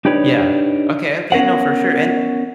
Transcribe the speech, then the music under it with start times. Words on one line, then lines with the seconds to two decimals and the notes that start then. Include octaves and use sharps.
Yeah. Okay, okay. No, for sure, and, eh
0.05 D4 D#4 G4 B4 C#5 D5
1.32 B3 C#4 A#4 C#5 F#5